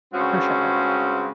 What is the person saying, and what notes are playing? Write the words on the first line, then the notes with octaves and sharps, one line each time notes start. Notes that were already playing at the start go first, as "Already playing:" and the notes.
for sure.
G2 C#3 G#3 C4 C#4 F#4